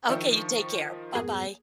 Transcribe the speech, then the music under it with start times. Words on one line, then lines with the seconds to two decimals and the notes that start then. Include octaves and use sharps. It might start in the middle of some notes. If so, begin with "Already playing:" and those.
Okay, you take care, buh-bye.
0.09 D#3 F3 D4 E5 G5 C#6
1.15 F2 G#2 A#3 B3 F#4 G#4